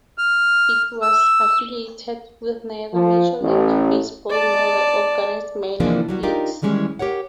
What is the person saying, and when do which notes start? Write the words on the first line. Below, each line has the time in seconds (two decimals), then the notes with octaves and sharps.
It was affiliated with neither Major League Baseball nor the organized minor leagues.
0.18 F6
1.02 E6
2.93 F3
3.41 A1
4.30 D5 A5
5.80 C3 E3 F3 A#3 C4 D4
6.08 F#3 G3 F#4
6.23 D4 D#4 F4 G4 A#4
6.62 D#3 E3 G3 G#3 C#4
6.99 G4 A#4 C#5 F#5